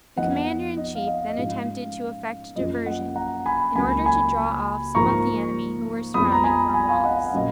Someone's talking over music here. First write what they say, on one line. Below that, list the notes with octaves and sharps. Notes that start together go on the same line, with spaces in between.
The commander-in-chief then attempted to effect a diversion, in order to draw off some of the enemy who were surrounding Cornwallis.
F2 F3 B3 D#4 D#5 F#5
D#5
F5
D#5
D#5
G#2 F3 G#3 C#4 F4 F5
F#2 F3 A#3 C#4 F4 D#5
D#5 F#5
F#5 A#5
G#5 B5
C#2 C#3 F#3 A#3 C#4 G#5 B5
G#5 B5
G#2 F3 A#3 A#5 C#6
F2 F3 G#3 B3 B5 D#6
A#5
G#5 B5
G#5 B5
F5 G#5
D#5 F#5
F#5
F5
A#2 F#3 A#3 C#4 D#5